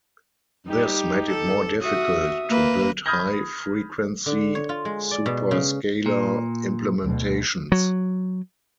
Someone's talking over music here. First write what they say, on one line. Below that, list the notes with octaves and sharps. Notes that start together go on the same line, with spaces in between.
This made it more difficult to build high frequency superscalar implementations.
G3 D#4 G4
A4
F#4 E5 D#6
A#3 B4
B5 D#6 F6 G6 G#6 A#6
D3
C#5
F4
G#3
D5
B2
C#3
A#2
D2 B2
F#3